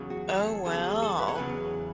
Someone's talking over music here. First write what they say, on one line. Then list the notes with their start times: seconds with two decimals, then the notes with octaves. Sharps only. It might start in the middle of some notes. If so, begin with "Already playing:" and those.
Oh, wow.
Already playing: E2 C#3 F#3
0.10 F#4
0.29 G#4
0.39 G#4
0.48 A4
0.65 E2 C#3 F#3 A4
0.84 G#4
1.02 A4
1.19 B4
1.28 C#5
1.35 E2 C#3 F#3 B4